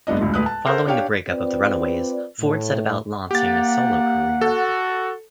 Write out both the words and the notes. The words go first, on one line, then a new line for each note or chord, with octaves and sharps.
Following the breakup of the Runaways, Ford set about launching a solo career.
F#1 G#2 B3 D4 D#5
E1 C#2 A2 D3
D2 A2 B4 D#6 F#6
A5
A4 A#4 C5 E5 F#5
D4 G4 C#5 F5 G5
C4 F4 B4 D5
A2
A#3 G4 F#5 A6
F#4 A4